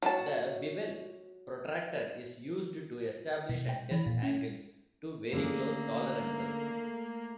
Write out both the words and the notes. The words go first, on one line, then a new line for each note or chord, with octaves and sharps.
The bevel protractor is used to establish and test angles to very close tolerances.
F#3 A5
B2
G5
E3
A#2
C#4
D3 A3 A#3 C#4 G#4